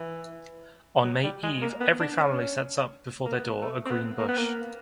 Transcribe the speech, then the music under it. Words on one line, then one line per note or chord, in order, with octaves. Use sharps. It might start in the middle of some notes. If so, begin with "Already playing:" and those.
On May-eve, every family sets up before their door a green bush.
Already playing: E3
F#3
G3
G#3
A#3
B3
D4
C#4
A#3
B3
A3
C4
B3
A#3
B3
A#3